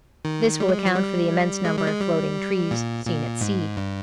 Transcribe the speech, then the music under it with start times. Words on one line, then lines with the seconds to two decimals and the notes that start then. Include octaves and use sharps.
This will account for the immense number of floating trees seen at sea.
0.25 D#3
0.60 G3
0.69 G#3
0.78 G3
0.85 F3
0.95 G3
1.65 G#3
1.77 G3
1.87 G#3
2.00 G3
2.71 A#2
3.06 A#2
3.41 G#2
3.77 G2